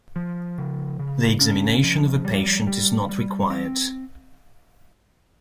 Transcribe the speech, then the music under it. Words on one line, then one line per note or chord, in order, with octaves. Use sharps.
The examination of a patient is not required.
F3
C#3
C#3
C#4
F3
G3
G3
G3
C4